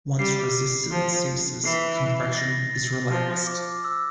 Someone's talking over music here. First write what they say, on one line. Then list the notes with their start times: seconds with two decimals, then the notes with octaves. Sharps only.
Once resistance ceases compression is relaxed.
0.19 G3 C7
0.92 F3
1.65 E3 C7
2.32 A6
2.38 A#6
2.74 A6
3.11 F3 F6
3.47 D6
3.84 E6